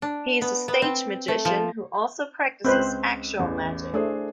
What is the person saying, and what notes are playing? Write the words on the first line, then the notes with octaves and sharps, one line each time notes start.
He is a stage magician who also practices actual magic.
D4
B3
B3
C4
A3
F3
C#2 C4 B4 C5 F#6 G6
A1 E2
A3 D4 G#4 C5